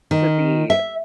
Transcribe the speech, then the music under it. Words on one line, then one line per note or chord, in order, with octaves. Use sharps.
to be
D#3
E5